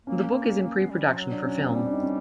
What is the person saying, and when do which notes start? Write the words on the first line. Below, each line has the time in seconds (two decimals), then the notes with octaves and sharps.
The book is in pre-production for film.
0.06 A#3 C#4
0.62 A#3
0.77 B3
0.90 G3
1.05 F3
1.18 F#3
1.31 D4
1.45 C#4
1.59 C4
1.74 G3 D4
1.86 D4
1.93 D#4
2.03 C#4